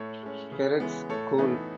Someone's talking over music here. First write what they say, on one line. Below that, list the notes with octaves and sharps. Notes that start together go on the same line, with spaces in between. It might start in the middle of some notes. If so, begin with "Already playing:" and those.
Peretz School.
Already playing: A2 A4 C#5
G#3 C#4
C#3
E3 G#3 B3
A2 A4 C#5
E3 B3 D#4